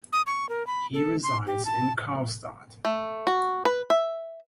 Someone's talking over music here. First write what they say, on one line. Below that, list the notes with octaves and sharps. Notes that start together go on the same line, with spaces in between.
He resides in Karlstad.
D#6
C#6
A#4
B5
A4
C6
G4
A5
A3
F#4
B4
E5